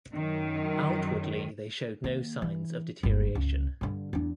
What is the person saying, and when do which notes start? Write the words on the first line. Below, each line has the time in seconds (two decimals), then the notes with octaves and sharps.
Outwardly they showed no signs of deterioration.
0.13 F#2 D#3 F#3
2.04 D#3 A#3
2.42 E3
3.03 G1 D#2
3.35 C#2
3.81 G2 D3
4.13 E2 D4